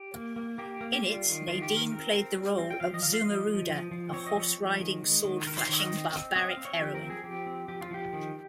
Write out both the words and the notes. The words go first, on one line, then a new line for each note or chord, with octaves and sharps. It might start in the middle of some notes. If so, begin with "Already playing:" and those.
In it, Nadine played the role of Zumuruda, a horse-riding, sword-flashing barbaric heroin.
Already playing: G4
A#3
A#3
A#3 G4
A#3
G4
G3 F4
D#3
D#3 F4
G4
D#3
A#4
C4 A#4
C4
G3
C4
G5
F3 F5
D#5
F3 F5
F5
F3 D#5
F3
F3
F3
C4 C#5
D#5
F3 C#5
G#3
D#3
G#3
D#3
D#3 A#4
C5
D#3 C#5
D#5
C4
C4
C4 D#5
F5
C4
C#5
F3 G4
A#4
C4
G#4
F3 G4
C4
F3 G4
F4
F3 G4
D#3